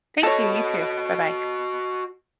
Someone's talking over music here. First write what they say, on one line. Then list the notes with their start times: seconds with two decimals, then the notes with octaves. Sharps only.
Thank you, you too. Bye-bye.
0.23 F#4 A4 C#5 D#5